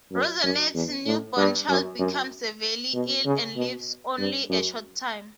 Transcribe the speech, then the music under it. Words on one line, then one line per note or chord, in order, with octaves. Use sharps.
Rosanette's newborn child becomes severely ill and lives only a short time.
F#2
F#2
E2
A2
G2
F#2
F#2
B2
C#3
B2
G2
F#2